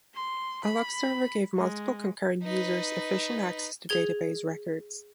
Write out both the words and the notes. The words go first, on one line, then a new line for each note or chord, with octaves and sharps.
A lock server gave multiple concurrent users efficient access to database records.
C6
B5
G#3
D#4 B4
G#4 G#6 G7